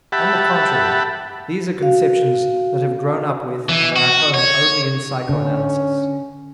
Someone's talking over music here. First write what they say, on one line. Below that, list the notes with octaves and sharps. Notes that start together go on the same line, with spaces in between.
On the contrary, these are conceptions that have grown up with and are at home only in psychoanalysis.
G4 E5 F#5 A5 B5
F#4 F5
E3
F#4
C#5
D3 C#4